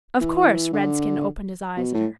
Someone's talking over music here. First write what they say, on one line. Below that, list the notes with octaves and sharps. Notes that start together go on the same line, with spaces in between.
'Of course!' Redskin opened his eyes at her.
E3
D3
B2
A2